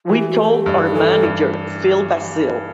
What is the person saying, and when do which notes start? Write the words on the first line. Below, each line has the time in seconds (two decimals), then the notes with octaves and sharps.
We told our manager, Phil Basile.
0.09 E3 F#4
0.19 G4
0.29 F#4
0.38 A3 A4
0.52 G4
0.66 G2
0.85 G4
0.95 E3 A4
1.23 G2